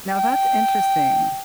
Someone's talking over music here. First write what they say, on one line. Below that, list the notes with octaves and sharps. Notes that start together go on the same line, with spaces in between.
Now that's interesting.
G5